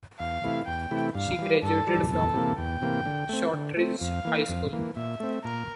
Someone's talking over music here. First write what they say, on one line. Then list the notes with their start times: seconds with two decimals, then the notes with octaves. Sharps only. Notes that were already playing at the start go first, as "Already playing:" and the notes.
She graduated from Shortridge High School.
0.19 E2 F5
0.44 C3 E3 A3 E4
0.67 E2 G5
0.91 C3 E3 A3 E4
1.15 G2 F5
1.39 E3 G3
1.62 G2 A4
1.87 E3 G3
2.11 E2 A4
2.34 C3 E3 A#3
2.58 E2 G5
2.82 C3 E3 A#3
3.05 D3
3.29 A3 C4
3.54 D3
3.77 A3 C4
4.01 F2 F5
4.25 E3 A#3
4.49 F2
4.72 E3 A#3
4.96 A#2 E5
5.20 A3 C4
5.44 A#2 A#4